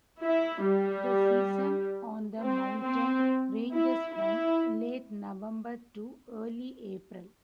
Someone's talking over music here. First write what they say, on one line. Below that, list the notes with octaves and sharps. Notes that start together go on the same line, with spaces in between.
The season on the mountain ranges from late November to early April.
E4
G3
C4
C4
E4
E4